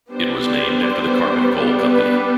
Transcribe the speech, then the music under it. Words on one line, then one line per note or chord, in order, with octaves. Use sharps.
It was named after the Carbon Coal Company.
G3 B3 D4 C5
B4